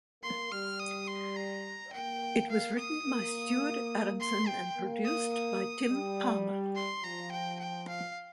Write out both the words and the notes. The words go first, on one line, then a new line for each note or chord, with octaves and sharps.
It was written by Stuart Adamson and produced by Tim Palmer.
A#3 C6
G3 F6
D#6
C6
A#5
A#3 G5
F5
D#6
A#3
C6
G5
A#3
D#6
D#6
G3
C6
F3 A#5
G5
G5
F5